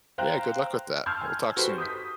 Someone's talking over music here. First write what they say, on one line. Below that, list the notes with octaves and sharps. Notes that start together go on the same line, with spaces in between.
Yeah. Good luck with that. We'll talk soon.
C5 F5 G5 A#5 F#6
A5 C6 E6 F6 G6 G#6
G#5
F#4 G4 A4 B4 C5
D#6 G6 B6